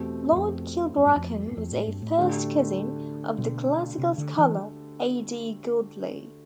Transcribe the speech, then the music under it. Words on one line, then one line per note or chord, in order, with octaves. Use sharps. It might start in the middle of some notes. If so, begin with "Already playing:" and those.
Lord Kilbracken was a first cousin of the classical scholar A. D. Godley.
Already playing: E2 B2 A3 C4 G4
G2
F2
F2
G2
F2
G2
F2
A2
G2
A2
D2 D3 A3 D4 G4
B2
C3
D3
E3